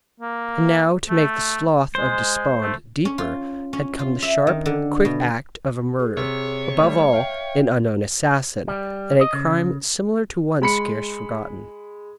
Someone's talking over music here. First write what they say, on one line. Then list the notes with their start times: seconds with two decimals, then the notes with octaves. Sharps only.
And now, to make the slough of despond deeper, had come the sharp, quick act of a murderer--above all, an unknown assassin--and a crime similar to one scarce forgotten.
0.20 A#3
1.09 A3
1.95 G#3 C5
2.61 A3
3.05 C#4
3.18 F4
3.73 C#4
3.99 F4
4.22 E5
4.47 D#3
4.66 D3
5.05 B2
5.99 G#4
6.17 C3 C#5
6.80 G3 A3
7.13 E5 F5 G5
8.68 G3
9.21 D#5
9.33 C#3
10.62 G#3 B5 C#7